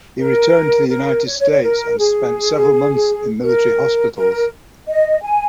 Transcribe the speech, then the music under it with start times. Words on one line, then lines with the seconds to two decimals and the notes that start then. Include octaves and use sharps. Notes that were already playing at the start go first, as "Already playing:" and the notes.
He returned to the United States and spent several months in military hospitals.
0.18 A#4
0.90 A#4
1.26 C#5
1.38 C#5
1.50 C#5
1.62 A#4
1.99 G#4
3.43 A#4
4.15 A#4
4.88 D#5
5.23 G#5